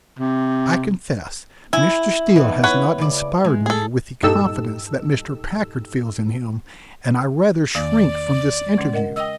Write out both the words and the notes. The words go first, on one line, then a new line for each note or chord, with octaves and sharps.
I confess Mr. Steele has not inspired me with the confidence that Mr. Packard feels in him and I rather shrink from this interview.
C3
E4 G#5
E3 B3 D#4
B4 C#5 F#5
C#3 D5
G#3
G#4 A4
G2 A#2 D#4 G4 A4 E6
E2 D#3 A#3 D5
C#3 G#3 C#4
A#4 D#5 F#5
D#5 G5 D#6 E6